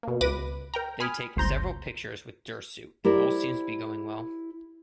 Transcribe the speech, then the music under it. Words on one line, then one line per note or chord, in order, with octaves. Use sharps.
They take several pictures with Dersu and all seems to be going well.
B2 A#3
C#2 B4 D6 A#6 D#7
A#4 G5 A#5
G#5 B5 D#6 F6
G1 C#2 C5 A#5 G6
E4 G4 A#4 C5 D5